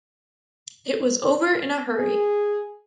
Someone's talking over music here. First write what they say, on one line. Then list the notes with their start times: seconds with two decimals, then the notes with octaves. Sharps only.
It was over in a hurry.
1.96 G#4